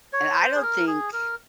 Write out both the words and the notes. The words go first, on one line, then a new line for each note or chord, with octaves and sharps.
and I don't think
C#5
C5
G#4
A#4
G#4
A#4